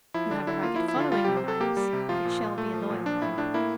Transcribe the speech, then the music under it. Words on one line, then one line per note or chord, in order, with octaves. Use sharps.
You have a ragged following, your highness, but it shall be a loyal one.
F3 E4
D3 D4
D3 E4
A#3 F4
E4
F3
E4
D3 F4
G3 F4
C3 G4
C5
C3 A4
A#3 G4
G3
C3
F3 F4
A#2
A#2
A3
F3
A#2
F3 D4
A2 E4
A2 D4
A#3 E4